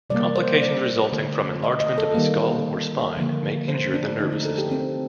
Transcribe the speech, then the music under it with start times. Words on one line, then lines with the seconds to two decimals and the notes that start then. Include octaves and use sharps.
Complications resulting from enlargement of the skull or spine may injure the nervous system.
0.10 C3 G3 A#3 D5
0.36 C5
0.62 D5
1.12 D3 A3
1.64 D#5
1.80 D#5
1.98 A4
2.14 D#3 G3 A#3
3.17 D3 F3 A#3
3.68 C5
3.94 D4
4.20 D3 F3 A3 D#4
4.32 D#4
4.45 A4
4.58 G4
4.71 C4